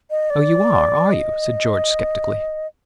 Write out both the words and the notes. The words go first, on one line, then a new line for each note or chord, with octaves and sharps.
"Oh, you are, are you?" said George skeptically.
D#5
D5
D#5